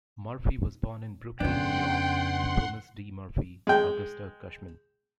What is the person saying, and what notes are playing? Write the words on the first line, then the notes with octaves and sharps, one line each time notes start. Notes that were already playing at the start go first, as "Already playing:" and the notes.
Murphy was born in Brooklyn, New York, to Thomas D. Murphy and Augusta Cushman.
F2 C#3 B3 C#4 D4 F#5 G5 C6
G#3 G5